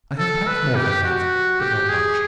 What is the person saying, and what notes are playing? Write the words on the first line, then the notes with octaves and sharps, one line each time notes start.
I have packed more than that, but not much.
A4
B4
G4
F#4
G4
G#4